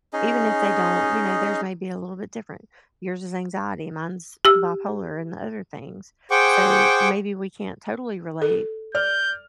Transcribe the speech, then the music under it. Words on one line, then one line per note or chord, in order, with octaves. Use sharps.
Even if they don't, you know, theirs may be a little bit different. Yours is anxiety, mine's bipolar, and other things, so maybe we can't totally relate
C#4 D#4 G#4 D#5
G4 E6
G#4 C5 F#5 G5 C#6 D6
A4
D5 F6 G6